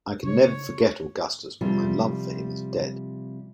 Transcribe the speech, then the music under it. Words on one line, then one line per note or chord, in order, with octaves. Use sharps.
I can never forget Augustus, but my love for him is dead.
C#3 C#5
C3 F3 G3